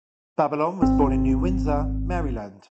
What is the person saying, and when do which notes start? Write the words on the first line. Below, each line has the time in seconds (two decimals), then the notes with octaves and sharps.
Babylon was born in New Windsor, Maryland.
0.82 G#1 C4